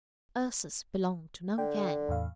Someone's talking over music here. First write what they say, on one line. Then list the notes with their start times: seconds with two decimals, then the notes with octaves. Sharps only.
Ursus belonged to no gang.
1.58 D3 G5
2.09 E2 A2 F5